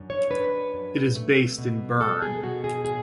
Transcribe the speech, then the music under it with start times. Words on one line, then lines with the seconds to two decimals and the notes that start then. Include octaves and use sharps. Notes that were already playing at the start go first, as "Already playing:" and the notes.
It is based in Bern.
Already playing: F#2 D4
0.10 C#5
0.30 D4 B4
0.74 F#2
1.15 A3
1.58 B2
2.00 B2 A4
2.22 G#4
2.43 B2 F#4
2.64 G#4
2.85 A2 G#4